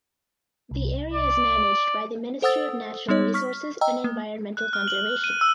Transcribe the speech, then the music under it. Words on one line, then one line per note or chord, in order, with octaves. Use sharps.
The area is managed by the Ministry of Natural Resources and Environmental Conservation.
C2
D5
A4 C5 F#5 D#6 E6 A6
G3 B3 D#4 C#5
C#6 F6 B6
D#5 G5 A#5 E6
A#3
F#6
F6
F#7
D#7
E6